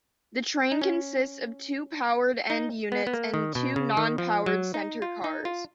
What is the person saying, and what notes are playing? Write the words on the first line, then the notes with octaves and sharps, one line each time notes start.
The train consists of two powered end units and two non-powered center cars.
D#4
C#4
D#4
B3
B3
A#3
D#3
B2
C#3
D#3
F3
F#3
D#4
F4
D#4
F4